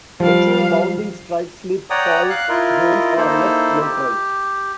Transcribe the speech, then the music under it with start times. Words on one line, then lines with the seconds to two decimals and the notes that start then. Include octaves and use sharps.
The two bounding strike slip fault zones are left lateral.
0.20 F3 G3 F5
1.90 C#5 D5 F#5 G5 A#5 D#6
2.30 F5 F#6
2.49 E4 F4 A#4 D#5
3.17 A#3 D#4 E4 A4 C5
3.81 G4